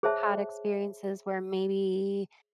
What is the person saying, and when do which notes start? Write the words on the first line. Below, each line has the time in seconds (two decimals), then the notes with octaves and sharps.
had experiences where maybe,
0.03 G#4 C5 C#5 E5 A5